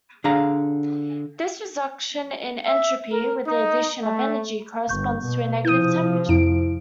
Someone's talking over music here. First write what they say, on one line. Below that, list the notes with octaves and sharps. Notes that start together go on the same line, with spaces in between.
This reduction in entropy with the addition of energy corresponds to a negative temperature.
D3 D4 G#4 F5 A#5
E5
A#4
D#4
A3
G1 C#6 G6
B2
C3 F3 E4 D#6 G6 D#7
F2 E4 D7